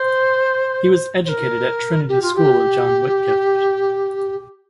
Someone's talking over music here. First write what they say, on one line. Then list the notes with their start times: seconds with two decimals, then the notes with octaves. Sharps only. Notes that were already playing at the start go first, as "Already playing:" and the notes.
He was educated at Trinity School of John Whitgift.
Already playing: C5
1.24 C5
1.28 A#4
2.08 G4
2.21 F4
2.35 G4